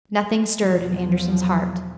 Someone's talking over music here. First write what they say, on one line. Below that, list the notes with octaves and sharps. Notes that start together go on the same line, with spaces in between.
Nothing stirred in Andersen's heart.
B1 E2 F3 F#3